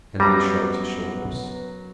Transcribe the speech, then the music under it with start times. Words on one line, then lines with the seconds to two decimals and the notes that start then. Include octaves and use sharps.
Kennedy shrugged his shoulders.
0.20 F#2 G3 B3 A#5